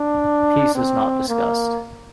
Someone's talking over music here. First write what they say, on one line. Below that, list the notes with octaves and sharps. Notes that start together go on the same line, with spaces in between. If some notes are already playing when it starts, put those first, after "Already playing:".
Peace is not discussed.
Already playing: D4
C4
A#3